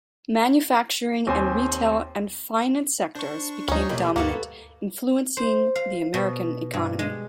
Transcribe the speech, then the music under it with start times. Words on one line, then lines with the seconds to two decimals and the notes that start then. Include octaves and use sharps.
Manufacturing and retail and finance sectors became dominant, influencing the American economy.
1.27 D#2 C4 C5 G#5 C6
3.15 D4 C5 C#6
3.68 D2 F3 C#4 D#4
3.89 B2 D#3 A3 A#3 G4 B5
4.16 D2 G2 A#3 B3 F#4 A4 C#7
5.37 C5
5.76 F5
6.14 B2
6.73 G2
6.99 G#3